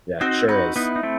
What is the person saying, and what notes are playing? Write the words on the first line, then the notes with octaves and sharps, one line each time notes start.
Yeah, it sure is.
C4 D#4 F#4
D#4 F#4 B4
B3 D#4 E4
D#4
A3 C4